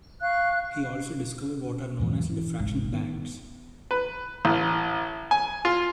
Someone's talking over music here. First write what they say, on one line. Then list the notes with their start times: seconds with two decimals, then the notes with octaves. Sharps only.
He also discovered what are known as diffraction bands.
0.21 F5 C#6 F#6
2.00 E2 G#2 E3 F#3
2.30 E3
2.59 G1 C2 G#2
2.92 D#3 B3
3.91 B4
4.45 A1
5.31 G#5
5.65 F4